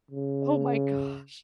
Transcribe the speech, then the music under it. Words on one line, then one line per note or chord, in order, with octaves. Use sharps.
oh my gosh.
C#3